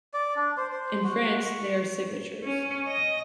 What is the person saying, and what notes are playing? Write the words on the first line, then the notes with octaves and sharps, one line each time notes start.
In France they are "signatures".
D5
D4
C5
C5
F#4
C#6
C#4
D#5